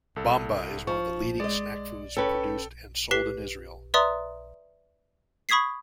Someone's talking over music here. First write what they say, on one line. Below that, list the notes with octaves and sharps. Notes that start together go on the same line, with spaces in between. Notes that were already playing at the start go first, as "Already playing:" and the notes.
Bamba is one of the leading snack foods produced and sold in Israel.
C2 A4
F3 C#6
G#3 D5 D#5
C#4 A4 B4 G5
G4 B4 B6 C7 G7
B4 D5 E5 A#5 C6 D#6
B5 C#6 D#6 G#6 B6 C7